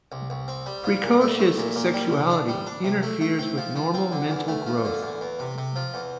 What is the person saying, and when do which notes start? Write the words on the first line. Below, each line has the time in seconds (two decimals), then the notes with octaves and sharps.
Precocious sexuality interferes with normal mental growth.
0.12 C2
0.30 C2
0.48 C4
0.66 G3
0.84 F3
1.03 A#2
1.21 A3
1.39 A3
1.58 A#2
1.75 A#2
1.93 G3
2.12 C3
2.30 D4
2.48 G3
2.67 D4
2.84 C3
3.03 A3
3.21 A3
3.39 C4
3.58 F3
3.76 F3
3.94 C4
4.12 D3
4.30 E2
4.48 A3
4.66 F3
4.84 D3
5.03 E2
5.21 E2
5.39 C3
5.58 C3
5.76 F3
5.94 E2